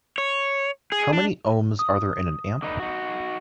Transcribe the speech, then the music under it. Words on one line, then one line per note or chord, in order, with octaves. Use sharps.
How many ohms are there in an amp?
C#5
G#4
D4
D#6
D3 D#4 B4
D#4 F#4